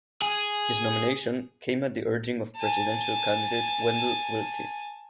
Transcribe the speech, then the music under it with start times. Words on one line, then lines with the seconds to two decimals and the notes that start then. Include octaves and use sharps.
His nomination came at the urging of presidential candidate Wendell Willkie.
0.22 G#4
2.57 G#5 A5